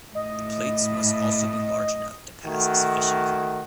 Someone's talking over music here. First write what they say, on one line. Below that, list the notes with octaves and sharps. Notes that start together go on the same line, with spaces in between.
The plates must also be large enough to pass sufficient current.
A2 D#5
D#3 A3 F#4